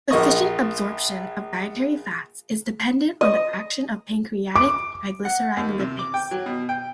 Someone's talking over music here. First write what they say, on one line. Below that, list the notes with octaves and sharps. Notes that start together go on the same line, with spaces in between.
Efficient absorption of dietary fats is dependent on the action of pancreatic triglyceride lipase.
A#1 A#3 F4 D#5 C#6 D#6
D#5
D6
F#5
D#2
C3
D6
G5
F#3
B2
G5